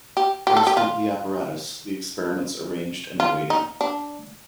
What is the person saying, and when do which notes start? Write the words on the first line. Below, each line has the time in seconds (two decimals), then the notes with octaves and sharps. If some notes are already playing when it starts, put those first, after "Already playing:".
There stood the apparatus, the experiments arranged and waiting.
0.17 G4
0.47 G4
0.57 A4
0.67 G4
0.77 F4
3.20 F4
3.50 D#4
3.81 D4